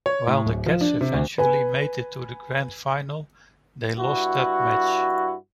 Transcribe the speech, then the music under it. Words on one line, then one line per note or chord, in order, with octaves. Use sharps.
While the Cats eventually made it to the grand final, they lost that match.
C#5
A2
D1
F3
D4
C3
D2
B4 G#5
G2 E4 F#4